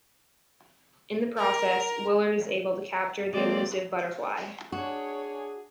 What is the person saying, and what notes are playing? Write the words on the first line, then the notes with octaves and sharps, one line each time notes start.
In the process, Willard is able to capture the elusive butterfly.
A#4
G#3 A#3 C4 D5
D4 F#4 G#4 C#5